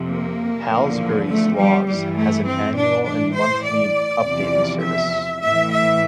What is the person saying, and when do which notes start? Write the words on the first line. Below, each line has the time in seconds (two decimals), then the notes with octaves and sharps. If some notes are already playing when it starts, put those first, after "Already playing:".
"Halsbury's Laws" has an annual and monthly updating service.
Already playing: F2 C3 F3
0.11 A#3
0.69 E2 D3 F3
1.28 A3
1.58 G3
1.87 G2 E3 G3
2.17 A3
2.47 C4
2.76 D4
3.05 A2 E3 D4
3.35 C5
3.64 D5
4.23 E2 C3 F3
4.82 E5
5.41 A2 E3 E5
5.71 E5